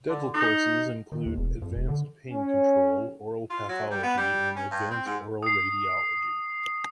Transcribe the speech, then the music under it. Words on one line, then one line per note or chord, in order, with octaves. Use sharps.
Dental courses include advanced pain control, oral pathology, and advanced oral radiology.
D3
D#4
D#3
D#2
E1
F2
E1
D3
C#4
F4
F#3
G3
B3
G3
C#4
G2
C4
G#2
D#6 C7